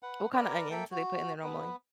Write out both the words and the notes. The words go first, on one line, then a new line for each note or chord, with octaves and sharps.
What kinda onions do they put in there normally?
B4 F#5
A#4 B4 D5 A#5
A#3 A4 E5 G5
F#4
B3 B4